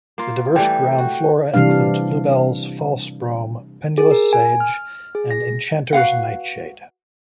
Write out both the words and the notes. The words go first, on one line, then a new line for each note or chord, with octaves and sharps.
The diverse ground flora includes bluebells, false brome, pendulous sedge and enchanter's nightshade.
A#3 F4
E3 G3 A3 G5
F#4
C3 E3 G3 D4 F5
G#4
A#4
G#5
F6
G#4
A#6
F#4 B4 F5 F#5